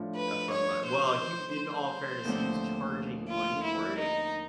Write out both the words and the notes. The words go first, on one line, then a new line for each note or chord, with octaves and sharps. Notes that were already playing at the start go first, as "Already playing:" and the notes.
uh uh, from, uh well, he w in all fairness, he was charging money for it,
Already playing: A2 F3 A3 D4 F4
B4
C#5
C5
C5
D#2 D3 F3 A3 C4
F4
E4
D#4